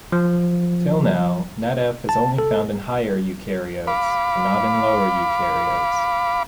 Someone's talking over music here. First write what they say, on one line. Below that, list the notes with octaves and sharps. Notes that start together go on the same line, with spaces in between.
Till now, NatF is only found in higher eukaryotes, but not in lower eukaryotes.
F3
A5
A4
F5 B5 D6